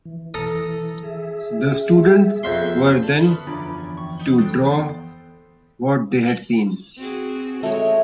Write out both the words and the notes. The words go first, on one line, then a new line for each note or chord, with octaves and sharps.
The students were then to draw what they had seen.
E3
A4 A#5 D#6
G#4 E5
F2 B3 G#4 E5 C6
A4 D5 E5
F#2 D3 C#4 B4 D#6
E2 F3 C#4 D4 F4 A#5 B5 D6
E3 G5 C#6
D#4 G4
B3 E4 A4 C5 G5 D#6 F#6 A6
C4 F#4 G#4
G#3 A3 C#5